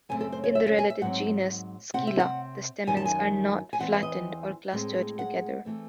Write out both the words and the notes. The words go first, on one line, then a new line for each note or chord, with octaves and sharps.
In the related genus "Scilla", the stamens are not flattened or clustered together.
F#2 C#3 E3 A3 C4 G#5
A4
C5
C#5
E5
E5
G#5
E5
G#2 F#3 C4 F#5
C3 E3 C4 F#5
E5
F#5
F#2 D#3 F#3 G#5
A5
G#5
G#5
E2 C#3 E3 C4 F#5
E5
D#5
A2 G#3 C4
F#5
E3 A3 C4